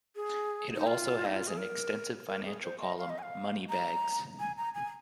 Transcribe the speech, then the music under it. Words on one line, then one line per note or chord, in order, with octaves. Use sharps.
It also has an extensive financial column, "Moneybags".
G#4
D#4
F4
D#4
F4
G#4
A#4
A#4
G#4
C5
D#5
F5
D#5
G#5
F5
A#5
G#5
A#5
G#5